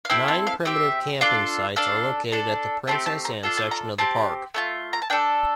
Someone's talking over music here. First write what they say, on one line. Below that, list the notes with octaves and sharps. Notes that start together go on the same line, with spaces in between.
Nine primitive camping sites are located at the Princess Ann section of the park.
F5
C4 E4 A4 G5
A5
F5
C4 G4 E5
D4 F4 A4
D4 A4 F5
D4 A4
A3 C4 G4 A5
A5
A#5
D4 F4 A4
A5
A#5
C4 G4 A5
A3 D4 F4
A#5
A5
D4 A4 G5